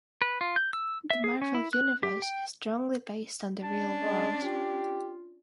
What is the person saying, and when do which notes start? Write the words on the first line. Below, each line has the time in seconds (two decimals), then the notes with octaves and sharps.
The Marvel Universe is strongly based on the real world.
0.22 B4
0.41 F4
0.56 G6
0.73 E6
1.10 E5
1.24 G#4
1.42 C#4
1.55 E4
1.73 F#6
2.03 G4
2.22 G5
3.63 C#4 D4 A5
4.02 G#3
4.43 F4 G4